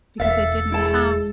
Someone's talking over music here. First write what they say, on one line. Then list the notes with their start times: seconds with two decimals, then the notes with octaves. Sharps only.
because they didn't have
0.20 E1 A4 E5 F5
0.72 G#3 E4 A5